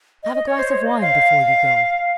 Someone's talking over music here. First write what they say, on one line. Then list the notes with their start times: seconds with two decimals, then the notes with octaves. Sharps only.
"Have a glass of wine before you go."
0.23 D#5
0.34 D#5
0.47 C#5
0.59 C5
0.71 C#5
0.86 D#5
1.01 F5